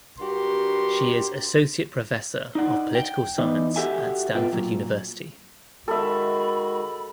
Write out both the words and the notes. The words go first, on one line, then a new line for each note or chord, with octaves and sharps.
She is Associate Professor of Political Science at Stanford University.
G2 D4 F#4 G4 A#4 C6
D#4 D5 F#5
G5
E3 B3 D#4 D5
F#4 G4 A4 E5 F#5 G#5
B2 F4 B4 E5 G5
A#2 F#3
D#3 G#3 F#4 A4 E5 B5